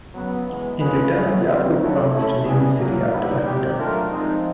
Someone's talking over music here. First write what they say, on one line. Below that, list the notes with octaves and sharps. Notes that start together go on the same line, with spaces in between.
In return Yaqub promised to name his city after the hunter.
C#3 F#3 B3
E3 G#3 B3
A3 C#4 F4 G#4 B4
F#3 A3 C#4 E4 G#4
C#3 E3 G3 C4
C#3 F#3 A3
A3 C#4 E4 A4
G3 B3 E4 G#4
A#2 F#3 A#3
D#3 G3 B3 E4
D#3 G#3 C4 D#4 G4
F#3 A3 D4 F4 A#4
F3 G#3 C4 D#4